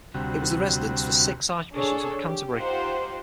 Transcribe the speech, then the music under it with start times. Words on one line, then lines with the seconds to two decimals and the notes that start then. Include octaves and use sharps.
It was the residence for six Archbishops of Canterbury.
0.14 D2 C3 G3 F#4
1.73 D4 G#4 A4 C#5
2.26 G4
2.55 D#4 F4 G4 C5 F#5